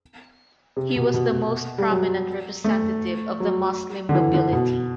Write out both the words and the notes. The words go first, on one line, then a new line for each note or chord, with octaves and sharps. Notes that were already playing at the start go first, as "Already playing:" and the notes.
He was the most prominent representative of the Muslim nobility.
C3
B2
B2
G3
F#3
A3
F#3
D3
E3
D3
B2